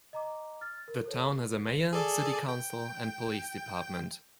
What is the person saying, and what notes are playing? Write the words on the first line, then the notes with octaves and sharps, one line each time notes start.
The town has a mayor, city council and police department.
D#5 A#5 D6
F6 A6
A#4
A4 C5 C#5
G#4 A4 D5
G5